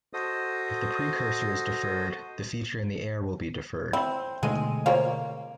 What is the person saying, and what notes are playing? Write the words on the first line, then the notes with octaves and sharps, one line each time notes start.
If the precursor is deferred, the feature in the heir will be deferred.
F#4 A4 C5 D#5 D#6
C4 E4
B2 D3 G#3 A3 D#4 A4
A#3 C5 C#5 F5